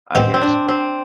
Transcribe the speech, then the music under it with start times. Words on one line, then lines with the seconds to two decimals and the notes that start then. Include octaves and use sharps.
I guess,
0.15 D#3 B3 C4 D#4 G4
0.34 C4
0.41 D4
0.68 C4